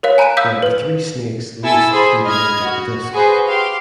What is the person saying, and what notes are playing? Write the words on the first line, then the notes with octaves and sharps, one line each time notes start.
There are three snakes laced through the edge of the disc.
A#4 C#5 F5
G#5 A#5 B5 F#6 D7 D#7
F5 D#6 E6 G6 B6
B4 F#7
E4 A4 G#5 E6 A6
G#4 C5 B5
D#5 B5 F6 G#6
F#4
F#4 G#4 B4 C5
G4 F5 C6